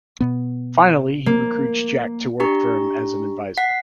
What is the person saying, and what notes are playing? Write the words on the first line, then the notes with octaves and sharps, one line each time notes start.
Finally, he recruits Jack to work for him as an adviser.
B2 B3
A#3
D4 G4 A#5 C#6
F#5 B6 C7